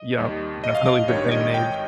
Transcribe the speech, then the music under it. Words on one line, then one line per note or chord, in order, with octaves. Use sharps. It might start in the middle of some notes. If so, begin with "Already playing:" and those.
Yep, definitely the day and age.
Already playing: D#5
D#2 D#3 G3
D#5
F5
D#5
G#1 G2 D#3 G3 C#5
D#5
G5